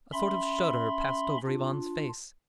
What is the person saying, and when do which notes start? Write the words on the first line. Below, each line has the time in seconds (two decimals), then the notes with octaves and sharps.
A sort of shudder passed over Ivan's face.
0.13 C#4 E5 B5 C6
1.46 D4 F4